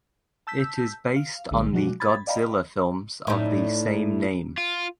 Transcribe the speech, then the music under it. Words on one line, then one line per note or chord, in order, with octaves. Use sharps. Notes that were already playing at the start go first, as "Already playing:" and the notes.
It is based on the Godzilla films of the same name.
A5 E6 G6 B6
F5
A#1 A#2 D3 G3 G#3 A#3
B2 F3 F#3 G#3 D4 F#4
B5 G#6 A6
D5 D#5 F5 G5 A#5 B5
A2 D4 D#4
F4